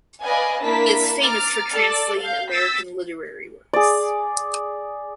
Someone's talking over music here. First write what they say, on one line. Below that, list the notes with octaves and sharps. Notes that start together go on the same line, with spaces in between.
He is famous for translating American literary works.
B4 D5 D#5 F5 G#5
A#3 D4 E4 A#4 A5 B6
A#5 D6 F6 A6
A4 D5
F5 G6
E6 G6 A6 B6
G#4 D5